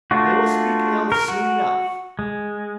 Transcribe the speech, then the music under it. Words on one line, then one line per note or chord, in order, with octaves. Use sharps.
They will speak ill soon enough.
A3 D4 F4 F#4
A#4
F#4
G#3